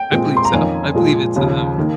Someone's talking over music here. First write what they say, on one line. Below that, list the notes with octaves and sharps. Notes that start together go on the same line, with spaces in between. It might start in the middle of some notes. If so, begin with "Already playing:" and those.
I believe so. I believe it's, um
Already playing: G5
A#2 G#3 C4
C6
A#5
F2 D#3 A#3 C#4 G#5
A#2 F3 G#3
D#2 C#3 F3
D#3 A#3